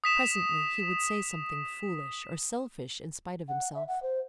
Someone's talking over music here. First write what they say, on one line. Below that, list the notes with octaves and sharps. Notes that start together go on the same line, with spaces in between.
Presently he would say something foolish or selfish in spite of himself.
D#6 B6 E7
F#5
E5
F#5
C5